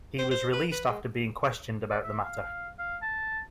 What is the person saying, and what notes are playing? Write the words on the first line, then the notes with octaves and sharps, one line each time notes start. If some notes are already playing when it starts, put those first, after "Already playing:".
He was released after being questioned about the matter.
C5
C5
B4
B4
G#3
D5
E5
F5
F5
A5